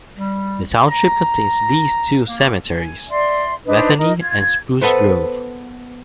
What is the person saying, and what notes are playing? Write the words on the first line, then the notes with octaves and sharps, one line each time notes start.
The township contains these two cemeteries: Bethany and Spruce Grove.
G3
A#5
A#3
G#5
D5 E5 C6
D4 D#4 B4 C5
D#4 A#4 D#5
F4 G#6
B3 A4 B4 C5